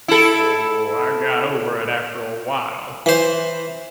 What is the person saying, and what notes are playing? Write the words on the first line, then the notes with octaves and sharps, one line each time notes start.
Oh, I got over it after a while.
E4 A4
E3 C5